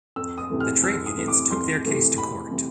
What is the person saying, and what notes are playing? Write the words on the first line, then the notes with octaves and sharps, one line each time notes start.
The trade unions took their case to court.
F2 E6
D#6
C3 E3 A3
F6
F2 E6
D#6
C3 E3 A3
D6
F2 C6
C3 E3 A3
F2 B5
C3 E3 A3